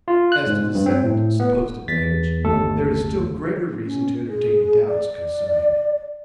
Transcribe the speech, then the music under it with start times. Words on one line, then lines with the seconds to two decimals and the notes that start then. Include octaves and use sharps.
As to the second supposed advantage, there is still greater reason to entertain doubts concerning it.
0.08 F4
0.32 F#6
0.47 G#2
0.75 G2
0.86 C4
1.04 A2
1.40 B3
1.88 E2 A6 B6
2.45 G1 D#2 A3 A4
3.85 C#4
4.29 G#4
4.88 D5